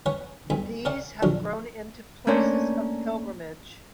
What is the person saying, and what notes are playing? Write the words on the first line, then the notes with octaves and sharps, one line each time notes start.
These have grown into places of pilgrimage.
C#4 B4 C#5 F#5
B1 G2 C4 G#5 B5
C3 C#4 A#4 D5 F#5
A#1 D3 F3 F#3 D4 F#4
A3 A#3 C#4 D4 C5